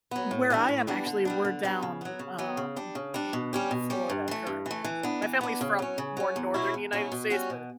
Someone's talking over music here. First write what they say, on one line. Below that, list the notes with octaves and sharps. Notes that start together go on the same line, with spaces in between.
where I am actually, we're down, um, in Florida currently. My family's from more Northern United States, but, uh,
F#3 B3
A2
E3 G3 B3 D4
A2
E3 G3 B3 D4
D3
G3 B3 D4
D3
G3 B3 D4
C#3
F#3 B3
C#3
F#3 B3
C#3
G3 D4
C#3
G3 D4
B2
G3 C#4 G4
B2
G3 C#4 G4
G2
E3 A3
G2
E3 A3
E3
B3 D4
E3
B3 D4
C#3
F#3 C#4
C#3
F#3 C#4
E2
B2 F#3 C#4 E4
E2
B2 F#3 C#4 E4
B2
G3 C#4 F#4
B2